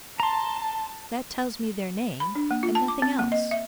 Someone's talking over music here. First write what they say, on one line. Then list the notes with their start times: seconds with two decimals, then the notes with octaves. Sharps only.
"That tells me their name, and nothing else."
0.20 A5 A#5 C6
2.20 B5
2.35 D4
2.51 A#3
2.63 F4
2.75 A5
2.88 D6
3.02 C4
3.19 A#3
3.32 D#5
3.51 E5